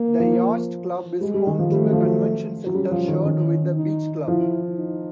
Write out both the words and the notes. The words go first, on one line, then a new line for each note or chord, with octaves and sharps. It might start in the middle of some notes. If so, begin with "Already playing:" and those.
The Yacht Club is home to a Convention Center shared with the Beach Club.
Already playing: A#3
F3
G3 G#3
G3
D#3
F3
G3 A3
F#3
F3
F#3
F#3
G3 C#4
F3
D#3
D#3 C#4
D#4
F3 E4
D#4